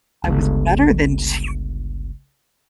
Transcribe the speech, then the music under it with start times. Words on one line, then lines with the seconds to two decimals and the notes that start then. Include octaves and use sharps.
I was better than she
0.24 G1 C#2